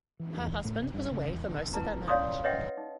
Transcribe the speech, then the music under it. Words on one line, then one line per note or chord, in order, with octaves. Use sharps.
Her husband was away for most of their marriage.
E3
E2
A2
C3
G2
C#3
E2
D3
E4 B4 A5 A#5
C#4 C#5 D5 F5 C6 D#6
B4 C#5 D#5 E5 F#5 G5
D#4